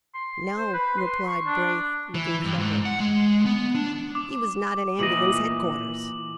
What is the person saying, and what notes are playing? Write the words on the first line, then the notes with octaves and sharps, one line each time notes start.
"No," replied Braith, looking troubled, "he was not at Ambulance Headquarters."
C6
C5
B4
C6
C#6
D4
E3
G2
G#2
F#5
G#3
B3
D4
D6
A#2 E3 D#5 D6 F#7